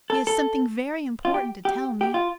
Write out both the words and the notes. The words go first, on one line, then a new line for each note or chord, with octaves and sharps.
"She has something very important to tell me."
A4
A4
F4
G4
G4
G4
F4